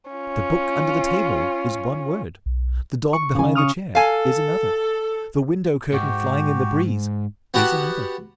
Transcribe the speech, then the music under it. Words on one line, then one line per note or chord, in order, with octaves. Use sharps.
The book under the table is one word, the dog behind the chair is another, the window curtain flying in the breeze is another.
C#4 F4
B1
C#6
C#3 G#5
C#6 D#6 F6
A4 F5 G#5
G#2 F#4 G4
B3 F#4 G4 F#5 A5